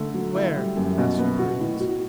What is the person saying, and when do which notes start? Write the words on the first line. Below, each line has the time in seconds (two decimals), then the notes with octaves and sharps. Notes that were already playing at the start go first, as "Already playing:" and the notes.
"Where?" asked Prudence.
Already playing: D3 A3
0.14 F#3
0.35 E4
0.56 G3
0.77 F#2
0.98 B2
1.19 B3
1.39 F#4
1.60 A2
1.80 F#4